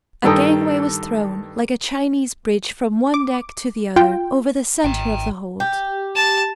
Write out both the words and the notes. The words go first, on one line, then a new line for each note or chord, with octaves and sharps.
A gangway was thrown, like a Chinese bridge, from one deck to the other, over the centre of the hold.
G2 D#3 A4 G5 A#5 D#6
D6
F4 G5
G#1 G5 A#5
G4
A5